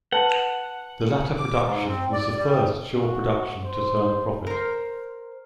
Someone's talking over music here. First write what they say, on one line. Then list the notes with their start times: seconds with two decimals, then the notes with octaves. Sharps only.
The latter production was the first Shaw production to turn a profit.
0.13 B4 F#5 A5
1.36 D6
1.61 G#2
1.86 C4
2.12 D5
2.34 G3
2.94 F#4
3.65 C5
4.47 A#4 C5